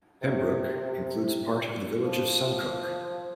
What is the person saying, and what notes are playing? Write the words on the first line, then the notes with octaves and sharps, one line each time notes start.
Pembroke includes part of the village of Suncook.
C3
F3